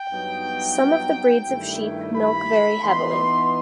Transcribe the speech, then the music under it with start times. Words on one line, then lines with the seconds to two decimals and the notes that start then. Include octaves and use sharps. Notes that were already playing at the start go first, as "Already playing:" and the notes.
Some of the breeds of sheep milk very heavily.
Already playing: G5
0.10 G2 F#3 B3 D#4
1.46 G2 D#3 A3 E4
2.15 B5
2.82 E3 B3 D#4 C6